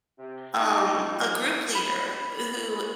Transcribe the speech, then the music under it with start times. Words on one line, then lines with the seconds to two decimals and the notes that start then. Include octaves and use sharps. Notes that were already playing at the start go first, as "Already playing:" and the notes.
um, a group leader, who
0.19 C3
0.59 D#4
1.07 F3
1.75 B5